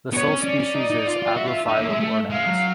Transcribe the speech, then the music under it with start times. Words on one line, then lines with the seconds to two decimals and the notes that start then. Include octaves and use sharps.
The sole species is Abrophyllum ornans.
0.13 B3 C#5
0.29 C#4
0.44 C#4 D5
0.60 C#4
0.76 D#4
0.90 D#4
1.07 F4
1.22 F4
1.37 F#4 E5
1.48 F4
1.68 D#4
1.78 A#3
1.89 G#3
2.00 A3
2.30 G#3 F5
2.46 F#3